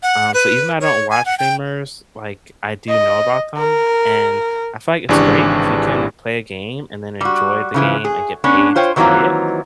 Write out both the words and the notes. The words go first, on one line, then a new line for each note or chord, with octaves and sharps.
Um, so even though I don't watch streamers, like, I do know about them, and I feel like it's great if you can play a game and then enjoy the game and get paid to play it,
F#5
B4
C#5
G#5
F#5
G5
D#5
A#4
G#1 C#3 E3 D4 G4 C#6
G3 F#4
C#3 E3 F3
G#4
B3 C#4 D4 C#5
F4 C5 C#5 G5
D#3 E3 F#3 A#3 C4 F4